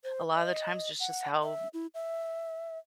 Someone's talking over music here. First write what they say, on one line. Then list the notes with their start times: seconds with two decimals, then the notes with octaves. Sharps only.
a lot of the times, that's just how,
0.04 C5
0.35 D#5
1.00 F#5
1.43 E5
1.74 E4
1.94 E5